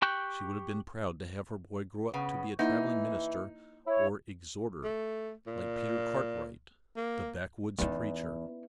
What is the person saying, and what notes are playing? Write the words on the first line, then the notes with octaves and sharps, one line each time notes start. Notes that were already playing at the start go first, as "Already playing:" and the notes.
She would have been proud to have her boy grow up to be a traveling minister or exhorter, like Peter Cartwright, "the backwoods preacher."
G4 G5 C#6 F#6 G6
C#3 B3
E3 A#3 D#4 E4 F#5
E4 C#5
A3
A#2
A#3
E2 C#4 D#4